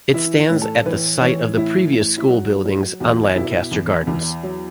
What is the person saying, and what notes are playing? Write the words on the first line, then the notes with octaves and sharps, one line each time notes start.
It stands at the site of the previous school buildings on Lancaster Gardens.
E3 E4
A2
A4
E3 B4
E3 C#5
A2 E4
A2
E4
F#3 F#4
F#3
E2 F#4
B2 E4
E2
E2
F#3